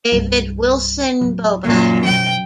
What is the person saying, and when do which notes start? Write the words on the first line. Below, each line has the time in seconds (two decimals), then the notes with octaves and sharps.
David Wilson Beaubier.
0.12 C2 G2
1.21 D1
1.65 F#2 A#2 E3 D#4
2.06 B2 F3 G5